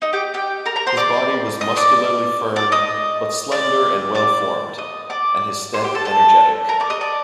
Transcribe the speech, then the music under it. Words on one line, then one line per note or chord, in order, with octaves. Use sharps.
His body was muscularly firm, but slender and well-formed, and his step energetic.
D#4 D#5
G4 G5
G4 G5
A#4 A#5
A#4 A#5
C5 C6
D5 D6
D#5 D#6
D5 D6
D5 D6
D#5 D#6
D5 D6
D5 D6
D#5 D#6
D5 D6
C5 C6
G4 G5
A4 A5
A4 A5
A#4 A#5
D5 D6
D#5 D#6
D5 D6